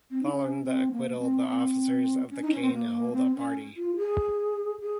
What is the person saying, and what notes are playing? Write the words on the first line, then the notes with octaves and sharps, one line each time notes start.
Following the acquittal, the officers of the Caine hold a party.
C4
D#4
C#4
C4
A#3
C4
C4
C#4
D#4
C#4
C4
A#3
C4
C#4
F4
G#4
G#4